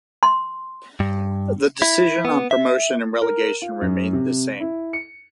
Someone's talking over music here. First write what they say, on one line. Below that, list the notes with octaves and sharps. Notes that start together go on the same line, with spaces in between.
The decision on promotion and relegation remained the same.
C6
G2
E4
B3
E5
A#4
F4
F#2
C3
E4
C#7